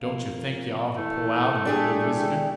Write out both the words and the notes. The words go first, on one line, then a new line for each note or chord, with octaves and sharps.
"Don't yuh think yuh ought to pull out and go visiting?"
F2 A#3
E3 A3
E1 D4 G4 G#4